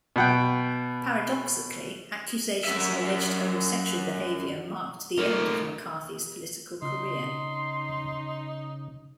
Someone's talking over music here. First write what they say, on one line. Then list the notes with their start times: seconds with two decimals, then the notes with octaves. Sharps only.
Paradoxically, accusations of alleged homosexual behaviour marked the end of McCarthy's political career.
0.16 B2 F#5 G5
2.64 F#2 E5
5.18 A3 D#4 A#4
6.82 C#3 D#4 C6